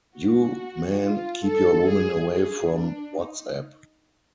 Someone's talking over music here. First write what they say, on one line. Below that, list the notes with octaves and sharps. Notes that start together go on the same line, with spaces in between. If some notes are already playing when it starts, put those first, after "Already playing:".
You, men, keep your women away from WhatsApp.
F#4
F4
A4
G#4
G#4
D4
D#4